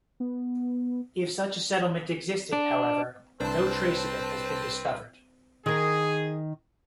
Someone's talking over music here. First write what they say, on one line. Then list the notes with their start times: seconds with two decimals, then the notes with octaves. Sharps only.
If such a settlement existed, however, no trace of it has been discovered.
0.20 B3
2.53 D4
3.40 C2 C4 D4 B4 C5 A5
5.66 D#3 G#4 A#4